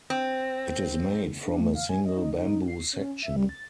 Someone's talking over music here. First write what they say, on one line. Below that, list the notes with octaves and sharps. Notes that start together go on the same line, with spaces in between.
It is made from a single bamboo section.
C4
D4
A3
F5
G#5
D#5
D#4
D#4
C7
C#4
E5
G3
A6